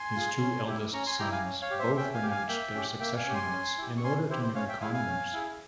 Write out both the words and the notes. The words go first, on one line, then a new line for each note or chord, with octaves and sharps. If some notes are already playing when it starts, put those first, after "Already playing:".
His two eldest sons both renounced their succession rights in order to marry commoners.
Already playing: G#5 C6
F4 G#4
C#4
E4 G4
C#4 A#5 C#6
G#5 C6
E4 G4 G5 A#5
F5 G#5
C#4
C#5 F5
G4
C5 E5
C#4 E5 G5
F5 G#5
G4
F5 G#5
A#3 E5 G5
C#4 G4
A#3 E5 G5
F5 G#5
C#4 G4
G#5 C6
C#4
E4 G4
C#6
C#4 G#5 C6
E4 G4 C5
C5
C#4 C#5 F5
E5 G5
E4 G#4 F5 G#5
F5 G#5
C#4
E4 G#4